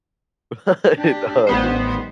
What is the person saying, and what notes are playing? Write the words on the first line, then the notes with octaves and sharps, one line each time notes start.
Right on, dude.
D4 G4
A1 D#3 G3 B3 C5